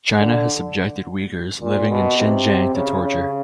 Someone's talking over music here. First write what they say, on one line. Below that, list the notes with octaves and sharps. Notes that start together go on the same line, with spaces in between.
China has subjected Uyghurs living in Xinjiang to torture.
D3
A#2
B2
C3
C#3
C#3